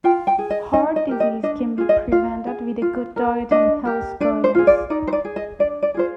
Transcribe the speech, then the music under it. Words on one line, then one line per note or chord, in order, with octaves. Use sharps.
Heart disease can be prevented with a good diet and health guidance.
F4 G5
G5
G#4
D#5
D#4 D#5
D#5
G4 A#4
D#5
D4 D#5
F4 G#4
D#5
F4 F5
G#4
F4
A#4
D4 D#5
G4 A#4
D4 D5
C5
F4 G#4
D5
D#4 D5
C5
D5
G#4
D#5
D4 D5
D5
F4 G#4 C5